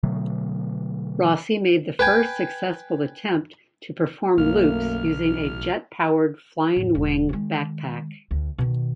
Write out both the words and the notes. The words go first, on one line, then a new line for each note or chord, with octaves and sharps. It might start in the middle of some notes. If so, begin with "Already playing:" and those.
Rossy made the first successful attempt to perform loops using a jet-powered flying-wing backpack.
B2 D3 F#3 A3
B4 G5 G#5
B1 F#2 A3 A#3 F6
A1
E2 A2
E1
D#3 G#3
D2
B2 D#3